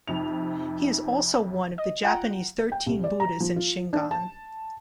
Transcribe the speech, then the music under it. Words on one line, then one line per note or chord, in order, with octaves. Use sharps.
He is also one of the Japanese Thirteen Buddhas in Shingon.
F2 C3 D#4 F7
D#5
F4 F#5 G5 A#5
G5
C2
D5
A#5
F3
F4
D4
A5